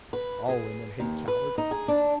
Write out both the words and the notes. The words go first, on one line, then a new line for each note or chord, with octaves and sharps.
All women hate cowards.
B4
G#4
D#2
B4
D#4
G#4
D4